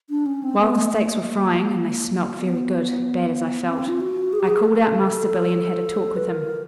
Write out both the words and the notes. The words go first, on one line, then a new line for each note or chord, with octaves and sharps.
While the steaks were frying--and they smelt very good, bad as I felt--I called out Master Billy and had a talk with him.
D4
C#4
C4
B3
A3
A3
A#3
B3
B3
C4
F4
F#4
G#4
G4
G#4
A4
B4
A#4